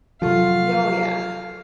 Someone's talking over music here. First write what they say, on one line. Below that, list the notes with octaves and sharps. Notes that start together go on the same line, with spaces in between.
Y oh, yeah.
C3 F3 F#3 F4 A4 F5 C#6